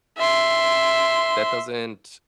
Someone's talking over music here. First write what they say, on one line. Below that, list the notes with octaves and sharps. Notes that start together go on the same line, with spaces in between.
that doesn't
E5 C6